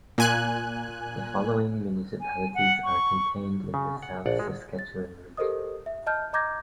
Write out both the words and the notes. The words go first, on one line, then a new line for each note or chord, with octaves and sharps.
The following municipalities are contained in the South Saskatchewan Region.
A#2 G#5 F#6
G#5
F#5
C#6
C#3
F#5
A#1 D5 F#5
G#3
A6
G4 A4 A#4 C5 D#5 D#6
E5
D#5 A5 F6 G6
D#5 A#5 D6 G6 G#6 A#6